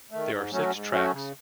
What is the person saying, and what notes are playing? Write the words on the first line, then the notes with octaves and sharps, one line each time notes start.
There are six tracks.
D#3 A3
G#2
F#3 A3 C#4 F#4
G#2
F#3 A3 C#4 F#4
C#3